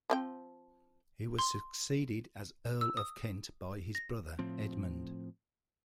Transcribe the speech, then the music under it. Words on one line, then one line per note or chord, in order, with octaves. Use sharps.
He was succeeded as Earl of Kent by his brother Edmund.
F3 C4 G5
C6
E6
D#6
A#6
A2 F3 C4